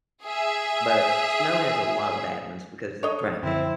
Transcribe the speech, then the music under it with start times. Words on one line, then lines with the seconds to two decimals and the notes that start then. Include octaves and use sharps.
but snow has a lot of bad ones because of traffic,
0.23 G#4 E5
3.03 A4 C#5 D#5
3.43 F#2 D3 F3 C4 E4